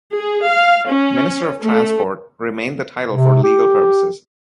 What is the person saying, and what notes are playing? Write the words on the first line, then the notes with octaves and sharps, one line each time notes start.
"Minister of Transport" remained the title for legal purposes.
G#4
F5
C#4
A3
C3
G4